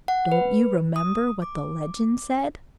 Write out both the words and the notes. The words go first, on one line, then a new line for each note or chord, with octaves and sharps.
Don't you remember what the legend said?
F#5
B4
D#6
D6